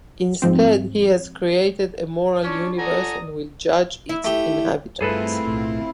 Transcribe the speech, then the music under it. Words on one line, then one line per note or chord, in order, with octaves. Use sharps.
Instead he has created a moral universe and will judge its inhabitants.
G#2 F3 C4
C#4 D4 F4 C#5 C#6
A4 D5 F#5 G#5 A#5 D#6
E4
A3 G4
G2 A3 C4 E4 F4 G#4 A4 B4
B1 A2